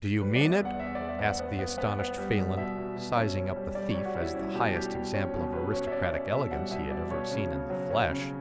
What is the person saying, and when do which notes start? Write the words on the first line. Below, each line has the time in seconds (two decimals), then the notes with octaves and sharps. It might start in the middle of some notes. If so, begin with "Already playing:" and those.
"Do you mean it?" asked the astonished Phelan, sizing up the thief as the highest example of aristocratic elegance he had ever seen in the flesh.
0.21 G3 B4
0.36 D5
0.41 B3
0.50 E5
0.61 E2 F#5
0.79 E2 E5
0.95 D5
1.00 E2
1.09 E5
1.19 B3
1.25 F#5
1.39 B3
1.59 B3
1.78 B3
1.99 B3
2.17 G3
2.38 G3
2.57 B2 E5
2.77 B2
2.96 B2
3.16 C#4 E5
3.36 C#4
3.56 G3
3.75 G3 D5
3.91 C#5
3.96 G3
4.05 F#4
4.15 G3
4.20 E4
4.34 C#4
4.54 B2 G4
4.74 G3 G4
4.94 B2
5.14 C#4
5.33 B2
5.53 B2 B4
5.72 C#4 C#5
5.87 E5
5.92 C#4 D5
6.12 C#4 E5
6.32 B2 E5
6.51 G3 F#5
6.71 B2 E5
6.91 B2 D5
7.11 B2 C#5
7.31 C#3
7.51 C#3
7.70 F#3
7.90 C#4
8.09 C#3